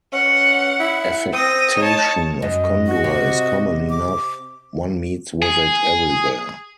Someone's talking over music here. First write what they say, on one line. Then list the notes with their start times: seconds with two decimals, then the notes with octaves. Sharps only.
Affectation of candour is common enough — one meets with it everywhere.
0.13 C#4 F#5
0.80 E4
1.33 C4 D#6 A#6
1.77 D#4 C#5 A5
2.42 F#2 D#5
2.86 F#4
3.04 C3
3.90 D6
5.42 G#4